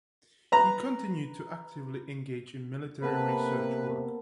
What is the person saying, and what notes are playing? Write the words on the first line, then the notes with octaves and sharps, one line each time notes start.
He continued to actively engage in military research work.
B4 A#5
C3 A#3 B3 A4 B4